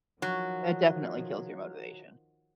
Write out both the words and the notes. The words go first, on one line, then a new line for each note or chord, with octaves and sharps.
That definitely kills your motivation.
D#3 F3 F#3